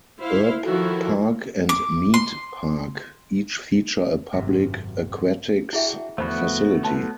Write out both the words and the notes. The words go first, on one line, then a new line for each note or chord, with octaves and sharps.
Erb Park and Mead Park each feature a public aquatics facility.
E4 C5 F5
D#3 F3 E4 F#4 A4
D6
C6
G#1 F#2 C3
D4 E4 F#4 G#4 E5 G5
E2 D3 F3 A3 B3 F#4 C5 B5
B4 C#5 A5 C6